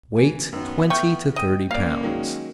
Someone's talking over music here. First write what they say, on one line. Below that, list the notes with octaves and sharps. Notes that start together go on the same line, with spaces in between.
Weight twenty to thirty pounds.
E3 G#5
F#2 D#3 B3
A3 G5 C#6 F6
D#5 G5 D#6
A#3 C#4 D5 F5
D#3 F#3 G#3